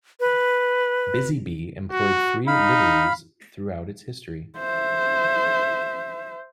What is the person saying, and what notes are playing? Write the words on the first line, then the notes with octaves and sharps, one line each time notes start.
Busy Bee employed three liveries throughout its history.
B4
F#4
D#4 F5 B5
C5 E5